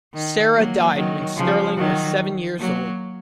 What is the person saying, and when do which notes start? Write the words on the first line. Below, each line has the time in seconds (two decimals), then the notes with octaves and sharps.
Sarah died when Sterling was seven years old.
0.14 D#3
0.54 F#3 A#3
0.95 D#3 F#3
1.36 C#3 F3
1.77 D#3 F#3
2.59 F#3 A#3